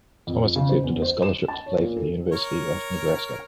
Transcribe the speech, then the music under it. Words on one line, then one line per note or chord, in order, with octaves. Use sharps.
Thomas accepted a scholarship to play for the University of Nebraska.
F2
C#3
C5
E2
C5
E7
A5
C#5
A#2
A4
A#4 C#5